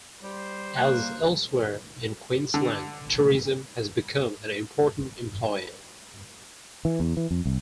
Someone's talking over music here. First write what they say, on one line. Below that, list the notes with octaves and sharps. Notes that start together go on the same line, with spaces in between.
As elsewhere in Queensland, tourism has become an important employer.
G3 C5
G3 A#3 F#6
D3
E3
E2
E3
F2
C2